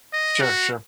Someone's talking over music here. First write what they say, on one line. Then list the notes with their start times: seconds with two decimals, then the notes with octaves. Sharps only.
Sure, sure.
0.13 D#5
0.42 F#4